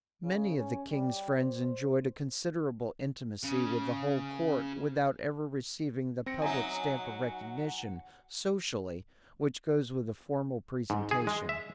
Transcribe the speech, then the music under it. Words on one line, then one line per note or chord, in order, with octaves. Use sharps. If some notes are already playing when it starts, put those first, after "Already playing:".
Many of the king's friends enjoyed a considerable intimacy with the whole court without ever receiving the public stamp of recognition, socially, which goes with a formal presentation.
C#3
C#4
G3
C5
C#3
C4 A#6 C#7
F#3 D#4 E5 F#5 G#5
G#2
G#4
G#3
E5